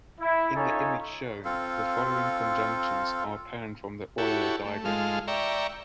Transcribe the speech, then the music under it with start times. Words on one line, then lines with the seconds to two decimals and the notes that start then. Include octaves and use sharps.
In the image shown, the following conjunctions are apparent from the Euler diagram.
0.21 E4
0.55 C#4 D#4 F4 A4 C#5 G#5
1.45 C4 F4 A4 F5
4.18 E4 F#4 G4 A4 C#5
4.65 A3
4.85 G#2 G#3 F4 A4 F5
5.28 D5 E5 G5 A#5 C#6